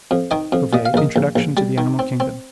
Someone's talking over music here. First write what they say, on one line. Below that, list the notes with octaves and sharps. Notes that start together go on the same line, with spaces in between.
Cuvier: Introduction to the Animal Kingdom.
F2
D#3 D#5 G5
F2
A#2 D#5
F5
A#1 A#4 D#5
A#1
A#1
G3
D#3
C4
C4